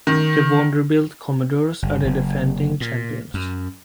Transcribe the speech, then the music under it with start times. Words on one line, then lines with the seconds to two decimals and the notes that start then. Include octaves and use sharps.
The Vanderbilt Commodores are the defending champions.
0.07 D#3
1.82 G1
2.05 F#1
2.81 A#2
3.34 F#2